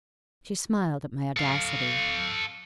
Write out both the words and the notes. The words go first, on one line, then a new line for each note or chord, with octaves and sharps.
She smiled at my audacity.
A4 F5